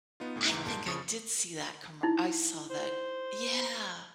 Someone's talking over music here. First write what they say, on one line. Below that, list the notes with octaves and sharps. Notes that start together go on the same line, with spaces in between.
I think I did see that commer I saw that, yeah.
B3 D#4 F4
D2 A2
C#2 G#2 E3 A#5 D7
A#1 G#2 A#3 A5 D7
F2 C#3 F3 C#6 D#6
D#4 E4
C5